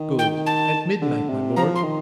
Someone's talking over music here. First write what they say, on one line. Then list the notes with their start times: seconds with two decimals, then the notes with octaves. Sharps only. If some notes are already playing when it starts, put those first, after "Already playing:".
"Good! at midnight, my lord."
Already playing: D#3
0.19 G5
0.46 A5
1.01 D3
1.29 C3
1.56 F3 A#5
1.75 C6
1.84 D#3